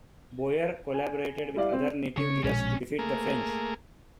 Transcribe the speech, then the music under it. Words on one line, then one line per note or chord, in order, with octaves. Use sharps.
Boyer collaborated with other native leaders to defeat the French.
G#5
G3 E4 D5 F5
C4
C#3 C#5
A#1 B2 G#3 C#4
A3 A#3 G#4 A#4